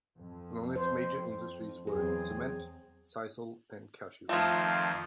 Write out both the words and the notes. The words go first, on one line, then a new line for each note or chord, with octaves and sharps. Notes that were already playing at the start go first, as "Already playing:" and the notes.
Among its major industries were cement, sisal and cashew.
F2
C5
E2 F#3 C4 G#4
F2 D#3 F3 A3 F4